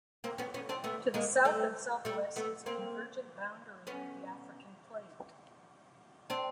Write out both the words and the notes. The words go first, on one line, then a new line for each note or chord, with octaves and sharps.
To the south and southwest is a convergent boundary with the African Plate.
A#3 C4
B3 C#4
B3 C#4
C4 D4
A3 B3
G#3 A#3
G3 A3
G3 A3
A3 B3
A#3 C4
B3 C#4
C4 D4